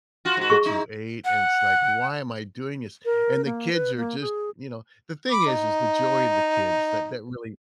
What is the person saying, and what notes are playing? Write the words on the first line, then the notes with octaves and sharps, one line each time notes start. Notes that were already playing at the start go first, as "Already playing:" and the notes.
that you ate, and it's like, "Why am I doing this?" And the kids are just you know? The thing is is the joy and the kids that that really
F4 F#4
G#2 F#4
G#4 C#6
D#4 E4
F#5
A#4
A#3
B4
A#3
G#4
B5 D6
D#4